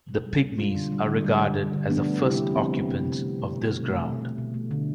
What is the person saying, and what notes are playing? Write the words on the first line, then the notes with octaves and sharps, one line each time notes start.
The Pygmies are regarded as the first occupants of this ground.
B2
G3
B2
G3 D4 F4
D3
G3
D3
G3
D3
G3
D3
F3 B3 D4
A3
C3 E4 G4
C3
C4
F3 B3
A3
C3
C3
A3
B2
A3
B2
A3
B2
A3
B2
A3
D3